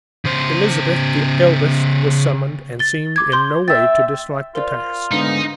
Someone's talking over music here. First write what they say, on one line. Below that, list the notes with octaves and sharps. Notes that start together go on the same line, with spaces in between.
Elizabeth, the eldest, was summoned, and seemed in no way to dislike the task.
C#3 C5
A6 G7
D6 G#6
C6 G6 G7
E5 G5 A6
F4 A#4 C5 D5
G#2 D3 B3 D#4